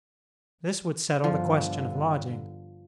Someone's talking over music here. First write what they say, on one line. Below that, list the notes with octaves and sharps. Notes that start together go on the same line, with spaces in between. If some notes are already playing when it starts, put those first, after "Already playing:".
This would settle the question of lodging.
G1 D3 F3